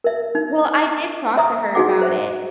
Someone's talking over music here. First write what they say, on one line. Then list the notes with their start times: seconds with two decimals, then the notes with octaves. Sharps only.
Well, I did talk to her about it,
0.04 A#4 E5
0.35 D#4
1.37 E5 A#5 D#6
1.75 D#4 F#4 G#4 F#5 D6
2.01 C5 E5